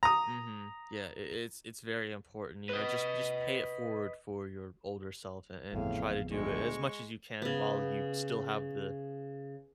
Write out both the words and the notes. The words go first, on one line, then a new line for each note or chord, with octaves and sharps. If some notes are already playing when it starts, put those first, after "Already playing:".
Mhm. Yeah, I it's it's very important, you know? Just just pay it forward for your older self and and try to do it as much as you can while you still have the
A#5 D#6
B4 D#5
A1 F2 A2 D3 B3 G#4 F5
D2 G#3 C#6
C#3 B3